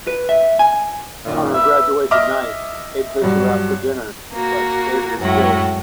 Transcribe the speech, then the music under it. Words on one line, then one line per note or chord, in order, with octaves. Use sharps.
On her graduation night Abe takes her out for dinner, but Abe is killed.
B4
E5
G#5
F#2 A#2 D#3
B4 E5
D#5 E5 D6 F6
G2 F#3
A#3 F#4
F#2 A2 G#3 F#4